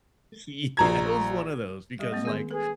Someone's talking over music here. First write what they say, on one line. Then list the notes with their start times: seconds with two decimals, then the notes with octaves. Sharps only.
yeah, it was one of those, because, like,
0.77 A#1 A#5 G#6
1.99 G3 G4 D#5
2.11 G#3 A#3 C4
2.25 D#3 B3 G#4
2.51 G#4 A4 B4